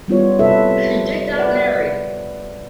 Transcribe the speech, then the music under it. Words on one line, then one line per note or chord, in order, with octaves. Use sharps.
She did not marry.
G3 B3 F4 C#5
C3 A4 B4 E5
B4 D5 F#5